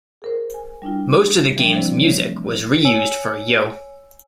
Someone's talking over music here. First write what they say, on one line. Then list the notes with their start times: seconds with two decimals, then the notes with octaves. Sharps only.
Most of the game's music was re-used for Yo!
0.22 G#4 A#4 C5
0.54 G#5
0.82 G3 D4 E4 F4
1.56 E3 F3 G3 D4
1.75 C3 F3 C4 E4 C5 D5
2.01 E3 A3 C#5
2.84 C#5 G#5 E6 C#7 F#7